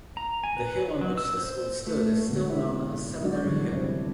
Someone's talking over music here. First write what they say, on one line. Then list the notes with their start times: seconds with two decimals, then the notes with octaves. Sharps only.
The hill on which the school stood is still known as Seminary Hill.
0.17 A#5
0.44 G#5
0.57 B4
1.01 F#3
1.17 E6
1.38 C5
1.87 A3
2.28 B2 D3 G#3 B3
2.50 E4 G4 E5
3.21 D#3 F#3 G#3 D4 F#4 D5
3.44 D3 E3 F#3 G3 C#5
3.72 C3 G3 C4 D4 E4